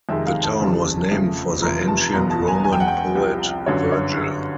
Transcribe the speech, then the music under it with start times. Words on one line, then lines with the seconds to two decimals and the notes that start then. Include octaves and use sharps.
The town was named for the Ancient Roman poet Virgil.
0.09 F2 C3 D#3 G#3 E5
0.27 F5
0.43 A5
0.60 E2 C#3 E3 G3
1.11 F2 C#3 F3 A3
1.62 F1 E2 C3 F3 A#5
1.88 A5
2.13 F#1 E2 B2 A#5
2.30 A5
2.48 G#5
2.64 E1 E2 B2 G#5
2.72 G5
2.80 F#5
2.88 G5
3.15 C2 C3 F3
3.66 G1 F#2 D3 F#3 C#5
3.92 C#5